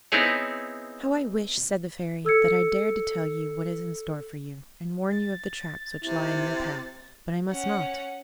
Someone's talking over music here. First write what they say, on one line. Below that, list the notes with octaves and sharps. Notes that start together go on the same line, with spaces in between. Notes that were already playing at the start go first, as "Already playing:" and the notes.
'How I wish,' said the Fairy, 'that I dared to tell you what is in store for you, and warn you of the traps which lie in your path, but I must not.
B3 C4 D#4 E4 G#4 C#5
A4 E6 G#6 C#7
A6
C3 E4
C#4 F#5